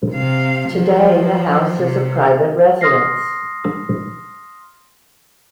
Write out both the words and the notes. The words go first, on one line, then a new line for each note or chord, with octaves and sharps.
Today the house is a private residence.
C3 F5
F3 F#3
C3
C6 D#6 F6 A#6 C7